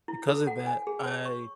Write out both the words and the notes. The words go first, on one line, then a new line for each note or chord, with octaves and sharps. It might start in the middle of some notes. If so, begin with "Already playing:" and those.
because of that, I
E4
A4
F#5
G#5
G#4
C#5
C#6